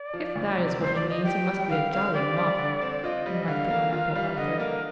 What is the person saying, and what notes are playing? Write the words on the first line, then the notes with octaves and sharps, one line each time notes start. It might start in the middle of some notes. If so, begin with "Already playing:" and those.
"If that is what he means, he must be a jolly muff," remarked the Honourable Arthur.
Already playing: D5
F3
D2
C3
D2 C5
D5
F3
D#5
G4 G5
G3
D3 F5
C4 F5
G4 D5
G3
D3
C4
F4 D#5
G3
D3 F5
A#3
F4
G3
D3 D#5
A#3 A#4